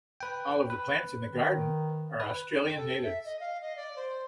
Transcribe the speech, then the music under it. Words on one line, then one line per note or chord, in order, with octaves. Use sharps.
All of the plants in the Garden are Australian natives.
B4 G5
B4
D#3
B4
G5
A4
E5
D#5
F5
D#5
D5
C5